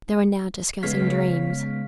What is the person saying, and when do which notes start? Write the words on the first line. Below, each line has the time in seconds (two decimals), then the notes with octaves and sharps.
They were now discussing dreams.
0.83 C#3 G#3 B3 C#5 F5 B6